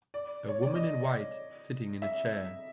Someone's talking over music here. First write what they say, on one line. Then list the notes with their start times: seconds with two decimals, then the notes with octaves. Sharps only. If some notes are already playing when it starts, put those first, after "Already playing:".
A woman in white sitting in a chair.
0.14 D5
0.49 C#5
0.62 D5
0.76 D#5
2.02 E5